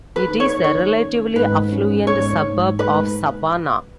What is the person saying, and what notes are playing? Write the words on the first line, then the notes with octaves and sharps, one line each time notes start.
It is a relatively affluent suburb of Savannah.
B4
D#3
C#5
D#3 C#5
C#4
G#2 B4
C#4
G#2 C#5
G#2
G#2 B4